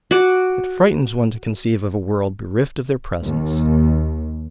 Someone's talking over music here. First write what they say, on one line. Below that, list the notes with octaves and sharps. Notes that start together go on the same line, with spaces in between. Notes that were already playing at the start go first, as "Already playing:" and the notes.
It frightens one to conceive of a world bereft of their presence.
F#4 D6
D#2